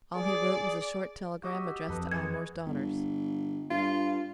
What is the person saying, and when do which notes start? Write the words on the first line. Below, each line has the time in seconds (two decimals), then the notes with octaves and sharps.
All he wrote was a short telegram addressed to Aylmore's daughters.
0.16 G#4 D5
1.43 F#4 G4 D#5 E6
1.89 F2 A4 B4 D#5
2.11 G#3 G#6
2.65 G1
3.70 G2 F4